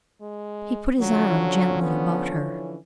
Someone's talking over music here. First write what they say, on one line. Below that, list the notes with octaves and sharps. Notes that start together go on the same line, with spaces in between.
He put his arm gently about her.
G#3
D3 F3 F#3 C#4
B3
E3